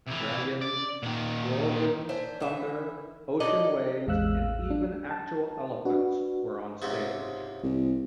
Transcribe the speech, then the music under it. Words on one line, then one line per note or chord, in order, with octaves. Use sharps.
Dragons, whirlwinds, thunder, ocean waves and even actual elephants were on stage.
C2 E3
D5
A#2 D#3
D4 C5 E5 G#5
E3 E5
F#3 A4 D5 D#5
A1 E2 G#3 F5 E6 F#6
D4
A5
D4 F#4 B4
C#2 G#2 C3
C2